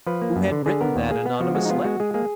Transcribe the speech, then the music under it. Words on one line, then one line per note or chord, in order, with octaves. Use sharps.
Who had written that anonymous letter?
F3 B4
A#3
F#2
D3
D3 G#4
B3 A#4
D#2
A#3 G#4
B3
F3 F#4
G#3 F#4
D#4
B3 F4
G#3 F#4
G#3 G#4
A#3 G#4